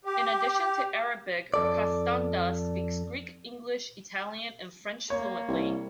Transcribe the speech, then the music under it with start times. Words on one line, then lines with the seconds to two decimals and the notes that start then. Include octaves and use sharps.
In addition to Arabic, Costanda speaks Greek, English, Italian and French fluently.
0.05 G4
1.54 F2 A4 D5
5.10 A#3 C#5
5.48 C2